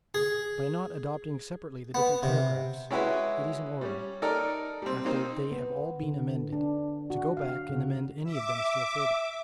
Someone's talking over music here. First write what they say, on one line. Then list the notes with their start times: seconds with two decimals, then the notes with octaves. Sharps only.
By not adopting separately the different paragraphs, it is in order, after they have all been amended, to go back and amend any of them still further.
0.15 G#4
1.95 B3
2.23 C3
2.90 G#3 C#4 E4 F#4 B4 E5
3.81 G3 C#4
4.22 D#4 A4 A#4 D5
4.82 G3 C4
5.04 A#3 C4 D#4 C5
5.52 B3
6.03 D3
6.52 D4
7.10 F#4
7.37 F5
7.69 C#3
8.23 E5 D6